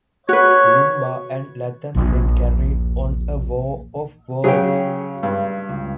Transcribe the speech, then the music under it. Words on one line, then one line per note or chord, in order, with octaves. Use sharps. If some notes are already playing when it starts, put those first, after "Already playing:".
Limbaugh and Latham then carried on a war of words.
F#4 B4 C#5
A#1 D#2
C#3 F#3 G#4 G5
G2
C#2